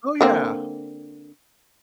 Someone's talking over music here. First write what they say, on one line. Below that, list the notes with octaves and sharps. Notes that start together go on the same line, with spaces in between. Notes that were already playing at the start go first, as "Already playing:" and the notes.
Oh, yeah.
D3 A#3 C4